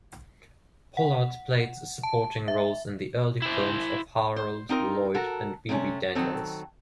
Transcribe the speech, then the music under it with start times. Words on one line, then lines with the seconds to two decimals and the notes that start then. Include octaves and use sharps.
Pollard played supporting roles in the early films of Harold Lloyd and Bebe Daniels.
0.97 F#5
2.03 A5
2.48 E5
3.42 E4 C5
4.36 C5
4.69 C4 D#4 F4 A#4
5.14 F#4 A4 A#4
5.69 C3 A3 C4 C#4
6.15 D#3 F#3 C4 A4